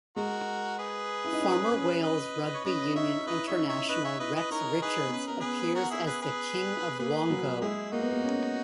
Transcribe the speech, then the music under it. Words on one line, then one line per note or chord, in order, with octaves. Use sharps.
Former Wales rugby union international Rex Richards appears as the King of Wongo.
G#3 F#4 A#4
G#4 B4
E4
D#4
C#4
C#4
B4 D#5
C#5
C#4 B4 D#5
D#4 C#5 E5
E4 B4 D#5
D#4 C#5 E5
C#4
C#5 E5
D#4 B4 D#5
C#5 E5
E4 B4 D#5
B4 D#5
D#4 A#4 C#5
D#4 G#4 B4
B3
C#4 B4
B3 A#4
B3 G#4 B4
B3
F#4 A#4
E4 G#4
G#4 B4
G#4 B4
A#3 G#4 B4
F#3
G#3 E4 G#4
A#3 D#4 F#4
B3
A#3
C#4